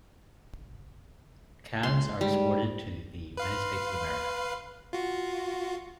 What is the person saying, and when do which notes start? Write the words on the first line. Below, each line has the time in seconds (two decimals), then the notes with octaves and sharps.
Calves are exported to the United States of America.
1.83 C#2 C6
2.21 G#2 G3
3.37 B4 F5 C6
4.93 F4 F#4